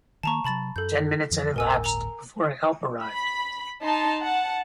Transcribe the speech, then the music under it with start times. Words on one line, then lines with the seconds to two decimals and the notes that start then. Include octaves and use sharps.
Ten minutes had elapsed before help arrived.
0.23 D#3 A#3 A5 A#5 C#6
0.44 C3 F#3 A5 B5 A6
0.76 F#2 A4 G6
1.31 F2 D#3 F3
1.56 G1 D2 A2 A#4 G#5 E6
1.84 A#5 F7
3.04 B5
3.82 D#4 A5 C6
4.22 F#5 A5